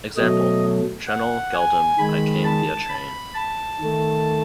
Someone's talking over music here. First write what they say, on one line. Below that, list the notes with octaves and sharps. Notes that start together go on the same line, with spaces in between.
Example: Trenle geldim "I came via train".
B2 F#3 A3 D#5
F#5
G#5
D#3 G#3 B5
A5
B5
A5
D#3 A3